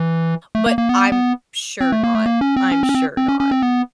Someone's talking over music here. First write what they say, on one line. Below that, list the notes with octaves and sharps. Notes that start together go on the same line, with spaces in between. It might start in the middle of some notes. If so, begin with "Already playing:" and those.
but I'm sure not. I'm sure not.
Already playing: E3
A3
A#3
A#3
B3
B3
C4
A3
A#3
A3
A#3
C#4
C4
C#4
C4
C#4
C4
C4
C#4
C#4
C4
B3